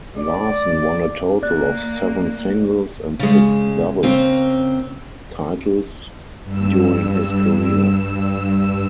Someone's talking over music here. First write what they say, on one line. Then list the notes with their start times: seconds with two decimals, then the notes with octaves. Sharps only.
Larsson won a total of seven singles and six doubles titles during his career.
0.17 D5
1.43 A#3 D5 F#6
3.19 C#3 G#3
4.03 C#3 A#3 C4
6.44 G2 E6